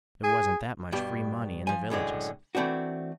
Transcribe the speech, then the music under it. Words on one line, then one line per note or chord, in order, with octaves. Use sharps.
There wasn't that much free money in the villages.
G#4
G2 B2 G4
F3 G#5
F#2 A2 D3 G#3
E3 A3 C4 D4 F#4